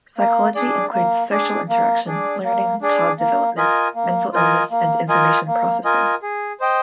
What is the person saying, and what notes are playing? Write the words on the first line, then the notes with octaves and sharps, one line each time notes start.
Psychology includes social interaction, learning, child development, mental illness and information processing.
A#3
D4 G#4 D5
A#3
D4 G#4 D5
A#3
D4 G#4 D5
A#3
D4 G#4 D5
A#3
F4 A#4 D#5 G#5
A#3
F4 A#4 D#5 G#5
A#3
F4 A#4 D#5 G#5
A#3
F4 A#4 D#5 G#5
G#4
C5 D#5 G5